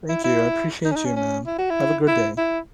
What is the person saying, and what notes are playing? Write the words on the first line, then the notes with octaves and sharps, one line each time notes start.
Thank you, I appreciate you, ma'am. Have a good day.
E4
E4
D#4
C#4
D#4
C#4
C#4
E4
F#4
E4
E4
E4